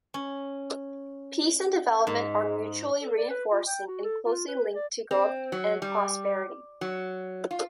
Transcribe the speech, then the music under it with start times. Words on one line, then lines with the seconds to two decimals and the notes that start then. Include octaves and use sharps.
Peace and development are mutually reinforcing and closely linked to growth and prosperity.
0.14 C#4
2.07 G#2
3.01 A4
3.18 D5
3.30 B4
3.52 F4
3.67 G5
3.87 F#4
4.04 A4
4.26 F4
4.48 B4
4.75 D5
5.11 C4
5.52 F#3
5.82 G3
6.81 F#3
7.51 F4